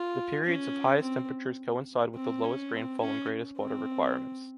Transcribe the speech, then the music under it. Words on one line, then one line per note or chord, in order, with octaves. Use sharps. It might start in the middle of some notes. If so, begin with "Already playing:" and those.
The periods of highest temperatures coincide with the lowest rainfall and greatest water requirements.
Already playing: F4
C#4
C4
C4
C#4
C4
C#4
C4